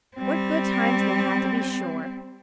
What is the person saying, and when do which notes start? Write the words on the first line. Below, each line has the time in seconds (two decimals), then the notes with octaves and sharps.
What good times they had, to be sure.
0.18 G3 C4